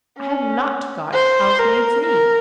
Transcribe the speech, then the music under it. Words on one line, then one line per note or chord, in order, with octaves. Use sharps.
I have not got housemaid's knee.
C#4
C5
A#4
A#4